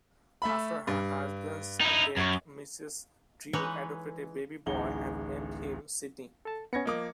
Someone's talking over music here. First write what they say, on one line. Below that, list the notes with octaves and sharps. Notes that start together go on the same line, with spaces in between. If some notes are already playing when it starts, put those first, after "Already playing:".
After her husband's death Mrs Drew adopted a baby boy and named him Sidney.
A3 E5 B5
G2
D#4 E4
F#2 C#6 G#6
E3 G#3 D#4 B4 C#5 F#5
D1 A1 D#4 G#4 F#5 G7
A4 A5
B3 C#4 G#6 A#6 C#7
F3 A#3 D#5 D6